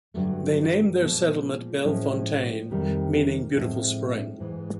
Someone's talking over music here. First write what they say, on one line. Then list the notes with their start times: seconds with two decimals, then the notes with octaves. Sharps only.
They named their settlement Bellefontaine, meaning 'beautiful spring.
0.14 G2 D3 F#3 A3
1.00 A#2 F3 G#3 B3
1.84 A2 F3 G#3 C#4
2.69 F2 C3 D#3 G3
3.55 A2 F3 G#3 C4
4.40 G#2 E3 G#3